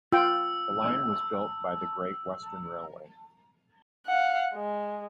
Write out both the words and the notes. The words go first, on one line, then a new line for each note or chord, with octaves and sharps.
The line was built by the Great Western Railway.
F4 G5 E6
F5 F#5
G#3